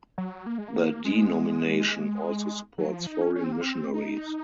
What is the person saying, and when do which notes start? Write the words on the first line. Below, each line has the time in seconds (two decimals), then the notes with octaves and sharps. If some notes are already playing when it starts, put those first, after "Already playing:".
The denomination also supports foreign missionaries.
0.18 F#3
0.46 A#3
0.58 G#3
0.68 A#3
1.05 G#3
2.78 F#3
2.92 F3
3.07 D#4
3.22 C#4
3.35 C#4
3.44 C4
3.52 A#3
3.61 C4
3.94 D#4